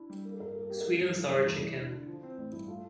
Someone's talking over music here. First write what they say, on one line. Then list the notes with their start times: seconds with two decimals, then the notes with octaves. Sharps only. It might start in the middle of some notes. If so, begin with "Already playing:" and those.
Sweet-and-sour chicken.
Already playing: D4 E4
0.10 G3
0.25 A#3
0.34 A4
0.40 G2 A#4
0.55 A#3 A4
0.70 A#3 G4
0.81 A#4
0.85 E3 A4
1.00 G2 A4
1.15 E3 A4
1.31 G2 G4
1.46 E2 E4
1.62 E1 E4
1.77 D3 E4
1.91 D3
2.07 F3
2.23 C4
2.38 A1
2.52 G2 E4
2.68 A3 F4